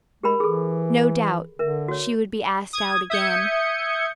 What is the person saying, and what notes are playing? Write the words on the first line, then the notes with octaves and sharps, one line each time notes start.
No doubt she would be asked out again.
G#3 G4 A#4 B5
E3 G#4 A4
D3 A#4 E5
F#4 C#5
D#6 G#6
E5 D#6 G6 G#6 C#7